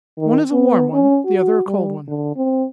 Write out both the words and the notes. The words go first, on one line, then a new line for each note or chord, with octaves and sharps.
"One is a warm one, the other a cold one!"
D#3
B3
C#4
F#4
G3
D3
C4